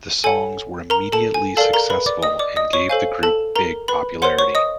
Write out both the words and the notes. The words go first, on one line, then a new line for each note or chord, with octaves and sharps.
The songs were immediately successful and gave the group big popularity.
A4 C#5 F#5 G#5
A#4 A#5
A4 A5
G#5
A4 A#4 D5 F5 A5
A#4 A#5
B4 B5
D5 D6
D#5 D#6
D5 D6
D#5 D#6
C#5 C#6
A4 C5 F5 G#5
A4 A5
A#4 A#5
B4 B5
A#4 C5 C#5 F#5 C6
C#5 C#6
D#5 D#6